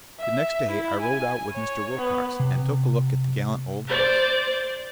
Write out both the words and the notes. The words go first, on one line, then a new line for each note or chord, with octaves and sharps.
The next day I rode out with Mr. Wilcox and took a look at the gallant old horse.
E5
E4
G#5
C#5
B3
C3
C5 D5